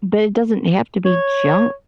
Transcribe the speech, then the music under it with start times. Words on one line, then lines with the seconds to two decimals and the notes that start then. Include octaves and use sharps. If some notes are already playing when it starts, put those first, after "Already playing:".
but it doesn't have to be junk,
1.06 C#5